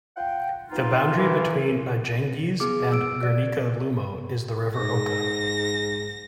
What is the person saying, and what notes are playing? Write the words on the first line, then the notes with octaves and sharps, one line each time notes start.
The boundary between Ajangiz and Gernika-Lumo is the River Oka.
F4 F#5 G5
B3 D#4 F4
C#3 E3 A#4
B3 G#4 D6
E6 D7
D5
G#2 A#6